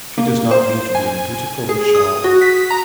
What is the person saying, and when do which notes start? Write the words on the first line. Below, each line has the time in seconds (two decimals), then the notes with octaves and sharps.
'She does not mean to be undutiful, Michel.'
0.18 A#3
0.51 C5
0.95 G#5
1.69 G#4
1.95 D#6
2.24 F#4
2.42 B6
2.71 A#5